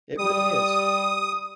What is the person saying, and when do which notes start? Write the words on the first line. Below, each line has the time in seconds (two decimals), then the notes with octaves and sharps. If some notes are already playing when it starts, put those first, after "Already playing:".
It really is.
0.18 G3 D#6